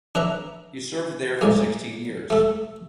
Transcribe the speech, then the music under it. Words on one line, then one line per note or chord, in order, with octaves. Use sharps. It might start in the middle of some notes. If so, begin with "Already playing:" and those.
He served there for sixteen years.
D4 B4 E5 A#5
A2 G#3 A#3
A3 A4